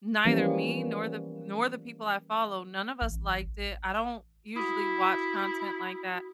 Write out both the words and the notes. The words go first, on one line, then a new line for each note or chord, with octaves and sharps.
neither me nor the nor the people I follow, none of us liked it, I don't, usually watch content like that,
E3 F3 G3 A#3 B3 C#4
A1
E4 F#4 D6 D#6